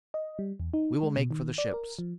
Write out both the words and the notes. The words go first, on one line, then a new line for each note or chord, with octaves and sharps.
We will make for the ships.
D#5
G3
E2
D#4
G#3
B2
D#3
D5
A#4
F3